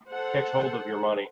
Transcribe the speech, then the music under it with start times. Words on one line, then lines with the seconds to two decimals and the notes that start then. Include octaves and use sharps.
Catch hold of your money.
0.11 A4 C5 F#5